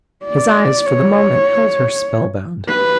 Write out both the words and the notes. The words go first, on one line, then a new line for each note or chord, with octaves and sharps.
His eyes for the moment held her spellbound.
D5
C#5
B4